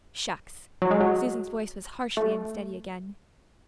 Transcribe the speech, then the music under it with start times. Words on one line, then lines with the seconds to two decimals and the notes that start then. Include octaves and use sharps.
"Shucks!" Susan's voice was harshly unsteady again.
0.82 F#3
0.91 G#3
1.01 F#3
2.17 A3